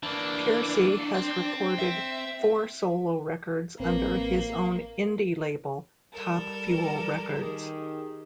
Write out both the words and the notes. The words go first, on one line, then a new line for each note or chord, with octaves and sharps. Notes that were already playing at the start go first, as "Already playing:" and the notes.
Pearcy has recorded four solo records under his own indie label Top Fuel Records.
E3 A#3 D4
C4
E5
A1 A#3 C4 B4
G3 A4 A#4
D#3 G4 G#4